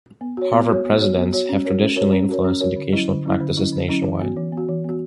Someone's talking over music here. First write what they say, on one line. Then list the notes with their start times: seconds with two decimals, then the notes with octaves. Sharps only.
Harvard presidents have traditionally influenced educational practices nationwide.
0.21 B3
0.37 F#4 C#5
0.53 B3
0.69 F#4 C#5
0.85 B3
1.01 F#4 C#5
1.17 B3
1.33 F#4 C#5
1.49 C#4
1.65 F#4 A#4 C#5
1.81 C#4
1.96 F#4 A#4 C#5
2.12 C#4
2.29 F#4 A#4 C#5
2.44 C#4
2.60 F#4 A#4 C#5
2.76 D3
2.93 F#3 C#4 E4
3.08 D3
3.25 F#3 C#4 E4
3.41 D3
3.57 F#3 C#4 E4
3.73 D3
3.88 F#3 C#4 E4
4.05 E3
4.21 B3 F#4
4.37 E3
4.52 B3
4.57 F#4
4.68 E3
4.84 B3 F#4